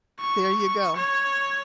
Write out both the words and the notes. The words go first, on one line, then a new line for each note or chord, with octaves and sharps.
There you go.
C#6
C#5